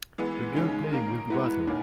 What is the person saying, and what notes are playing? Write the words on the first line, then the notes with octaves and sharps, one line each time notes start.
A girl playing with water.
E3 G#3 B3
C#3 G#3 C#4 D#4
D#3 A#3 D#4 A#4
G#3 B3 E4 F#4 B4
A#2 A#3 C#4 D#4